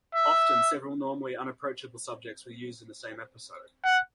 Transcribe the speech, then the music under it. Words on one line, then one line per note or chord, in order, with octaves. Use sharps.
Often several normally unapproachable subjects were used in the same episode.
E5
F#5